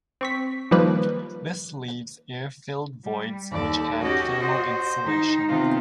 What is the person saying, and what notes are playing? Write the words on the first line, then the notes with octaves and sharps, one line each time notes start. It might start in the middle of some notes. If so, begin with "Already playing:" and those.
This leaves air filled voids which add thermal insulation.
C4 C#6 B6
D#3 F3 G3 A#3 B4
G3
D#2 A4 D5
C#4 F#4 G4 D#5
C5
D#3 D#4
C3 D#3 B3 F4